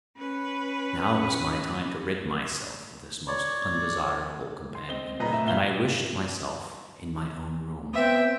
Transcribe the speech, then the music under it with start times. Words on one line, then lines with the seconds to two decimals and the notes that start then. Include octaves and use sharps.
Now was my time to rid myself of this most undesirable companion, and I wished myself in my own room.
0.16 C#4 B4
3.28 C#5 D5
4.75 C6
4.89 C4 D#5 G7
5.20 F#1 A#2 B4 D#5 A#5
5.33 A2 E5
5.45 A#2 B3 E5 F5 G7
7.94 B3 C4 E5 G5